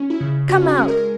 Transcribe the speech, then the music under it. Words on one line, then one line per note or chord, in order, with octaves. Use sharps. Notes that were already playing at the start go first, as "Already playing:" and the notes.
Come out!
Already playing: C#4
E4
C#3
C#4 F#4
G#4
G#3
A#4